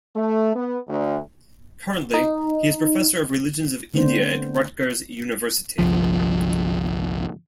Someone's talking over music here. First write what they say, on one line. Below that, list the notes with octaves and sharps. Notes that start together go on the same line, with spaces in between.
Currently, he is professor of religions of India at Rutgers University.
A3
B3
D2
D#4
D3 A3 B3 C4 D4 C5
G1 C2 F3